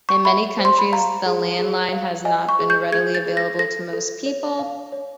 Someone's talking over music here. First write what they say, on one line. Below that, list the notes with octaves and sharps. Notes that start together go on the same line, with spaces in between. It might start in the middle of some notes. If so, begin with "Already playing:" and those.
In many countries the landline has not been readily available to most people.
C#6
E5 B5
C5
C6
B5
F5 A#5
G#4
G#4
F5
D#5 G#5
C#6
G#4
G6
G#4 G#6
A6
G#4
A#6
A4 A#6
A4
C#5
F5
C#5